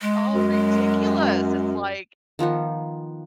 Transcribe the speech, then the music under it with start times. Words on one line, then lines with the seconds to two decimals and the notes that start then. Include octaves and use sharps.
oh, ridiculous, it's like,
0.02 G#3
0.34 F#2
2.39 D#3 F3 B3 D#4